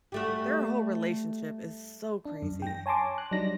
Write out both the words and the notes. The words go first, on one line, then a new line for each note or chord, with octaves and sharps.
Their whole relationship is so crazy.
G3 A3 F#4
D4
F#2
G5 A#6
C#5 G#5 A5 C6 D6
F#6
F#3 G3 D4 D#4 A#6